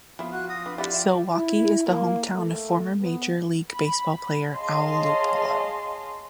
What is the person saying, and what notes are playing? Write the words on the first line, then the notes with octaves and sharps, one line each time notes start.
Zilwaukee is the hometown of former major league baseball player Al Luplow.
F3 B3 E4
F#4 F#6
D#6 A#6
D4 B4
E4 G4 D5 E5 F#5
E5 G5
E4
A#3
A3
B3
B5
G#4 C#5 D#5 F5 A5 C6